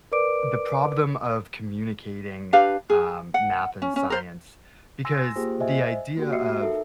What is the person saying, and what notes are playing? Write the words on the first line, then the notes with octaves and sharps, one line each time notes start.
the problem of communicating, um, math and science, because the idea of
A#4 B4 D5 D6 D7
D4 G4 B4 F5
G#4
F#5
C#4
C#4
A#4 C5
G#5 C6 E6 A#6
A#3 F4 G4 G#4 C5
C5 D#5 E5 G#5
A#3 F#4 G4
F#4 E5 C7 C#7
D#4 A4 A#4 E5